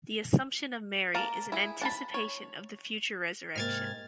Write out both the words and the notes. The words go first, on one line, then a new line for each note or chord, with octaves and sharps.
The Assumption of Mary is an anticipation of the future resurrection.
A#3 A#4 A5
E4 G#4
D4 A5 B5
C#5
G#2 C3 A#3 F6 G#6 A6